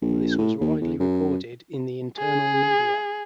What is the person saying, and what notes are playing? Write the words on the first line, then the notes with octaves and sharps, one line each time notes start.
This was widely reported in the internal media.
A#1
A2
D#2
E2
F#2
G#4